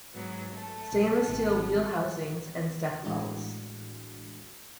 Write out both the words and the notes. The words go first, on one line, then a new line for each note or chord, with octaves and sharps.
Stainless steel wheelhousings and stepwells.
G#2 F#3 B3
A3
B1
G#1
A2 E3 G#3 D4 F#4